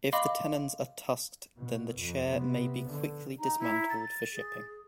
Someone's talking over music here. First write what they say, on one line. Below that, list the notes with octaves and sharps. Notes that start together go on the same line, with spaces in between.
If the tenons are tusked then the chair may be quickly "dismantled" for shipping.
D#5 F5 B5 C6 D6
B2
F2
C3 B3
D3
D#4 A#5
E4
A6
G#4